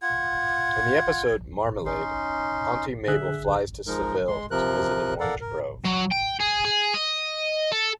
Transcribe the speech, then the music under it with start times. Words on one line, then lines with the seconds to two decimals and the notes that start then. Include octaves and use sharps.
In the episode "Marmalade" Auntie Mabel flies to Seville to visit an orange grove.
0.02 F4 F#5 G#6
1.86 C#4 D#4 C6
3.08 D3 G#4 E5 F#6
3.87 F3 G#3 D#4 A#4
4.28 G#3 C6
4.51 C3 F3 A#4 F#6
5.20 A4 A#4 D5 F5 F#5
5.41 A#4
5.85 F#3
6.12 G5
6.40 G#4
6.65 G#4
6.94 D#5
7.72 A4